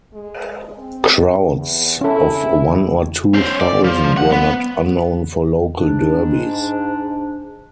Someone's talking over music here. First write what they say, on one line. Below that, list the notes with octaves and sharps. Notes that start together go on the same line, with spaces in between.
Crowds of one or two thousand were not unknown for local derbies.
G#3
C4
E2
C#4 E4 A4
C#4 C5
D5
F3
F#5
B3
G#2 D4